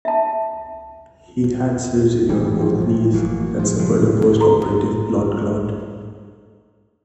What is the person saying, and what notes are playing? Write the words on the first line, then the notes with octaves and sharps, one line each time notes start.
He had surgery on both knees, and suffered a post-operative blood clot.
E5 A5
A1 A2 E3 G3
F3
G#1 E3 F#3 A#3
F3 G#3
C#3 F3 G3 G#3
G#4 A4 A#5 C6